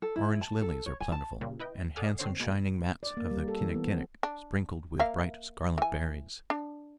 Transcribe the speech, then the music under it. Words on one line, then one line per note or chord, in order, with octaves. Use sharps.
Orange lilies are plentiful, and handsome shining mats of the kinnikinic, sprinkled with bright scarlet berries.
A4
E4
A5
A4
C#5
G#5
A5
A#2 C#3 G3 A#3
E4 B4 D#5 G5
A4 D5 F#5 G#5 D#6 F6
D3 C4 C#5 C7
B2 G#3 A#3
D5
A#3
G3
A4
E3
B3
C4
D4
A#3 E5 F5
E3 G#5
D4